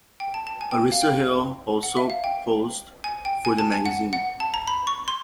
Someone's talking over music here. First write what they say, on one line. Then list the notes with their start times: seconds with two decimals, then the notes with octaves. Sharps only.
Arissa Hill also posed for the magazine.
0.20 G5
0.34 A5
0.47 A5
0.61 G#5
0.71 G5
0.92 F5
1.02 G5
1.83 F#5
1.97 E5
2.10 F5
2.24 G5
3.04 G#5
3.25 G5
3.45 G#5
3.59 A5
3.72 G#5
3.86 F#5
4.13 F#5
4.40 A5
4.54 A#5
4.67 B5
4.87 C#6
5.08 C6